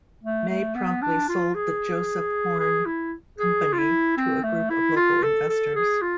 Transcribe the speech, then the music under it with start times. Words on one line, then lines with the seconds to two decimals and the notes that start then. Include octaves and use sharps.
May promptly sold The Joseph Horne Company to a group of local investors.
0.24 A3
0.49 A3
0.76 B3
1.02 D4
1.29 F4
1.55 G#4
2.60 G#4
2.86 E4
3.39 G#4
3.73 F4
3.78 E4
4.18 C4
4.44 A3
4.70 E4
4.97 F4
5.23 A4
5.49 A4
5.76 G#4
6.02 F4